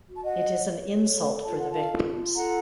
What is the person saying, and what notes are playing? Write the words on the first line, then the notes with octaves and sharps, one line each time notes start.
It is an insult for the victims.
F#4
A5
D#5 F#5
C#5
A4
F4 A5
F#5
F5 A5
F4
A4 F#5 A#5